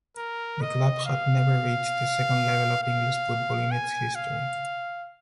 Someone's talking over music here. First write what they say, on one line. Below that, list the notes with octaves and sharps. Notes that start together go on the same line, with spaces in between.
The club had never reached the second level of English football in its history.
A#4
D#5
F5
F5
G#5
F5